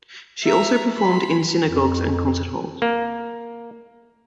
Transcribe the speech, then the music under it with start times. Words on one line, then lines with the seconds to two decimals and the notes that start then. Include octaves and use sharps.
She also performed in synagogues and concert halls.
0.44 E5 A#5
0.96 B5 C6
1.67 F2
2.82 A#3